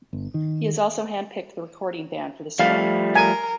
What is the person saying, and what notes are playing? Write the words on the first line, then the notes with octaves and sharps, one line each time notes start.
He also hand-picked the recording band for the song.
G1
D#3
F3 G3 A3 F5
A#4 G#5